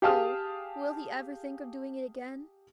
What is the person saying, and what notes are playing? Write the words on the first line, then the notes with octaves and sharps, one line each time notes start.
Oh! will be ever think of doing it again!
G4 G#4 F5 A5 D#6 F6